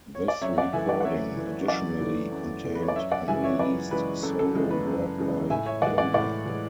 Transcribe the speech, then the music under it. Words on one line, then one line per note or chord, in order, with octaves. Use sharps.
This recording additionally contained unreleased solo work by Yoder.
C#5
D5
F#2 C#5 E5
D5 F#5
E3 A3 E5 G#5
D5 F#5
F#5
F#2 C#5 E5
E3 A3
F#2 D5 F#5
E3 A3
F#2
E3 A3
B4
C#5
D5
F#2 C#5 E5
D5 F#5
C#3 E3 G#3 E5 G#5
C#5 E5
F#2 B4 D5
C#3 E3 G#3 B4
F#2 A4
A4
C#3 E3 G#3
B4
F#2
C#3 E3 G#3
A2 E5 G#5
C#5 E5
E3 G#3 D5 F#5
D5 F#5
A2 D5 F#5
E3 G#3